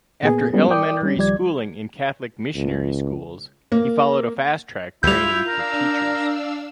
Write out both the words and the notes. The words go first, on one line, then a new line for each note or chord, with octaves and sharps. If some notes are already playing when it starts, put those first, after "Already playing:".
After elementary schooling in Catholic missionary schools, he followed a fast-track training for teachers.
A#2 A#3 B3 G#4
G3 G#3 B3 C#4 E4 A4
A#4 D5 G5 D6 D#6 G6
G3 C#4
C#2 D#3 F3 G3 D5 G#6
C#2
A#3
D2 G3 E4 F4 G6 F7
D4 A#4 F5 E6